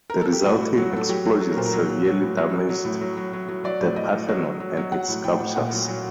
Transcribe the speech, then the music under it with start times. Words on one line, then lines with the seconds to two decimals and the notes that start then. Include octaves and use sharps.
The resulting explosion severely damaged the Parthenon and its sculptures.
0.10 A#4
0.21 A4
0.33 G4
0.45 A2 F#4
0.61 A2
0.77 F#3
0.92 A2 A4
1.09 F#3 G4
1.25 F#3
1.31 A4
1.41 F#3
1.52 A#4
1.57 A#2 C5
1.65 A#4
1.73 F#3
1.89 F#3
2.05 F#3
2.21 A2
2.37 F#3
2.53 F#3
2.69 F#3
2.85 A2
3.01 F#3
3.17 F#3
3.33 F#3
3.49 F#3
3.64 F#3 D5
3.81 A2
3.96 A2 D#5
4.13 A2
4.28 F#3 D#5
4.44 F#3
4.60 F#3
4.77 F#3
4.92 F#3 F#5
5.08 A2
5.24 A2 G5
5.40 A2
5.56 A#2 F#5
5.72 F#3
5.88 F#3